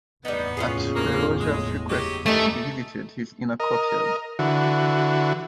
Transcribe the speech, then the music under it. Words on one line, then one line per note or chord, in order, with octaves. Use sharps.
At Ferozshah's request, he visited his inner courtyard.
F#1 E2 A2 G3 B3 D#4
C#4 F4 G#4
G2 F3 A#3
G#3
F#3 G#3 G4
D#3 E3 A3 C#4 D#4 G4
A#4 D#5
D3 E3 F#4